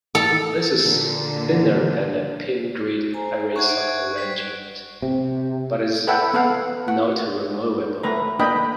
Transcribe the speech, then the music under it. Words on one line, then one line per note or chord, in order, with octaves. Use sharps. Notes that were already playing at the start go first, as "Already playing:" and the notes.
This is thinner than a pin grid array socket arrangement, but is not removable.
A4
A#2 D3
C5 G#5 A#5
C5 E5 F#5 C#6 F#6 G#6
D7
G3 C5 B6
C3
A4 B4 E5 F#5 G5
B3 A4 F5 F#5
F#5
A3 B4 A#5
A#3 D4 B4 D#5 G5 B5